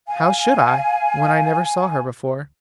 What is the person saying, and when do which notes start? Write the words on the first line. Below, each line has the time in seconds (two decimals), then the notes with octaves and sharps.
"How should I, when I never saw her before?"
0.07 F5 G#5